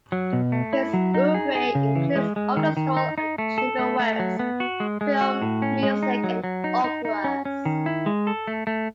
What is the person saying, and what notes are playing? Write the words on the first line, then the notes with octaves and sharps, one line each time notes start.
His oeuvre includes orchestral and chamber works, film music and operas.
F#3
B2
A3
E4
F#3
D#4
G#4
G#4
C#3
E3
G#3
G#3
D#3
D#3
D#4
D#4
A3
A4
A3
A3
F#3
B3
F#4
G#3
G#3
F#4
A2
C#4
G#3
D#4
F#3
F#3
D#4
D#4
D#4
C#4
C#4
D#3
E4
G#3
A4
A3
A3